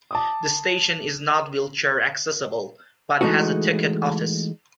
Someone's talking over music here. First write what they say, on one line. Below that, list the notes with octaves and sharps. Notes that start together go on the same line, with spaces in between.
The station is not wheelchair accessible, but has a ticket office.
A5 D6 D#6
E3 G#3 A3 D#4 F#4